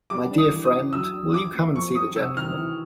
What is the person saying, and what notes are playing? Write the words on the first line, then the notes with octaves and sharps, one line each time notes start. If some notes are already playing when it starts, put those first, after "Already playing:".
My dear friend, will you come and see the gentleman?
G3 D6
D4
D#6
E3
D#6
D4
F#3 E6
D4
F4 D6
A#3
F2 C#6
G3 D#6
C3 E6
D#3 F6
E3